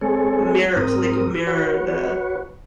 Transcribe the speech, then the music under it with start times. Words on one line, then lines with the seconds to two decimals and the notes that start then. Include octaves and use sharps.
mirror so, they can mirror the
0.01 G#3 C4 G#4 A4 C#5
0.76 G#2 C4 A#4 D#6
1.47 F#4 B4 C#5